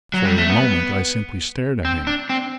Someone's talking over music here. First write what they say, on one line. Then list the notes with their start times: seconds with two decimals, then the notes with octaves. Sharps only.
For a moment I simply stared at him.
0.14 F#3
0.25 G3
0.38 A3
0.50 B3
1.85 C4
2.07 D4
2.30 C4